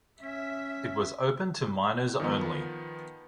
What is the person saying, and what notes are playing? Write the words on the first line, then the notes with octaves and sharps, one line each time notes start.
It was open to miners only.
C#4 E5
D#3 F3 B3